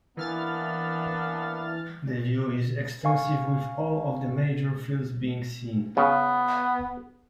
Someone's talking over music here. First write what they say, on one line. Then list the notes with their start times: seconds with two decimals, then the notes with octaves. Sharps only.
The view is extensive with all of the major fells being seen.
0.17 E3 A#3 B3 D4 F6 A6
3.05 F5 G#5 C#6
5.97 C#3 B3